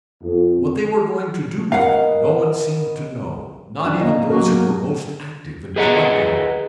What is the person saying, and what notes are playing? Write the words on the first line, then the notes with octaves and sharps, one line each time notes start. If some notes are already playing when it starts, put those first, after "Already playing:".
What they were going to do with it no one seemed to know, not even those who were most active in collecting work.
F2
B3 C#4 D#4 A#4 F5 F#5
F2 F#3 C4 D4
A#3 D#5
F#3 A#3 F#4 A#4
G#4 B4 D#5 E5 F#5 A#5